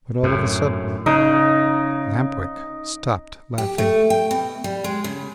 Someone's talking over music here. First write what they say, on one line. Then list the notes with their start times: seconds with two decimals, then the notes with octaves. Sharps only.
But all of a sudden Lamp-Wick stopped laughing.
0.23 F#2 A2
1.06 C#3 D#4
3.58 G4
3.78 A3
4.10 G5
4.31 B2
4.64 G3
4.84 G#3
5.04 C#3